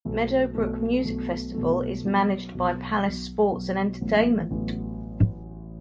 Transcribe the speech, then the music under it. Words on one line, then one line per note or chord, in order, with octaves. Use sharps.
Meadow Brook Music Festival is managed by Palace Sports and Entertainment.
B1 B2 A3
B1 B2 A3
B1 B2 A3
B1 B2 A3
B1 B2 F#3
B1 B2 F#3
B1 B2 F#3
B1 B2 F#3
A1 A2 F#3 B3
A1 A2 F#3 B3